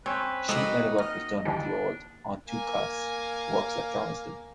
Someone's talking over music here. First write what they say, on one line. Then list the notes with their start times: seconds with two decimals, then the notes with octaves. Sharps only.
Sheet metalwork was done at the old 'en tout cas' works at Thurmaston.
0.06 C4 C#4 B4 C#5
0.49 G#3 A#3 D#4 F#4 A4 B4
0.98 D#5 F6
1.45 D3 E3 G3 D4
2.48 A#3 G#5